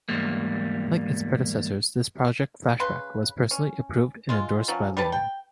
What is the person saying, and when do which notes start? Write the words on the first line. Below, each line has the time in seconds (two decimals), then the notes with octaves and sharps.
Unlike its predecessors, this project, "Flashback", was personally approved and endorsed by Lynne.
0.09 E2 G#2 G3 A#3
2.80 C#3 B4 C6
3.51 C#4
4.29 G#3 F4
4.68 F3 F#3 C#4
4.97 G3 G4 B4 A5
5.12 G5